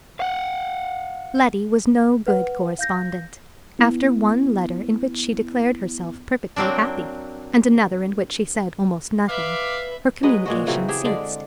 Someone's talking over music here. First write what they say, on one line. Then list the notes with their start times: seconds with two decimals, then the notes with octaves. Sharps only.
Letty was no good correspondent: after one letter in which she declared herself perfectly happy, and another in which she said almost nothing, her communication ceased.
0.20 F5 F#5
2.27 B4 F#5
2.79 F5 G6 A#6
3.79 B3 E4
6.56 F#3 A#3 C4 D4
9.28 B4 E5 F5 B5 D6
10.23 F#3 G#3 B4 D#5
10.46 A#2 G#3 F#4
10.67 C#3 E3 F#3 C4
10.88 G4 G#4 E5
11.05 D3 G#3 D5